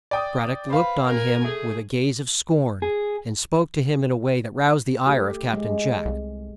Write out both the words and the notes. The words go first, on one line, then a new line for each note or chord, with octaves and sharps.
Brad-dock looked on him with a gaze of scorn, and spoke to him in a way that roused the ire of Cap-tain Jack.
D5 G5 D#6
B4 C5 F5
A#4 G#5
A3 G#4
G#4
A3 G4
G#3
C2